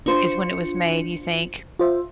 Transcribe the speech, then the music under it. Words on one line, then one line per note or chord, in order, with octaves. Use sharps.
i is when it was made, you think?
D4 F4 C5 C#6 C#7
F4 C5 E5